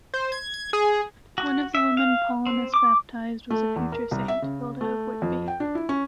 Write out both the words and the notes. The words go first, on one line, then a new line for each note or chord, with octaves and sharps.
One of the women Paulinus baptised was a future saint, Hilda of Whitby.
C5
G#6
G#6
G#4
F#4
E5
F5
C4
D6
A3
E2
A#4
C2
E5
C#3
A3
F2
G5
D4
E4
C#4